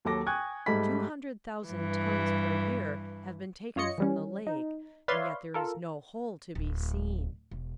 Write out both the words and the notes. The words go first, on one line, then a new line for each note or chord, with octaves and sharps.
Two hundred thousand tons per year have been taken from the lake and yet there is no hole to be seen.
D#2 F#3 A4 D6 A#6
G5 G#5 C#6 D#6 F#6 G#6
G#2 G3 A3 A4 B5 B6
G2 E3
F#2 F4 C#5 D#5 C#7
E3 G3 C#4
D#4
B4 C#5 D5 E5 F5 C6
F4 A4 A#4
D1
E1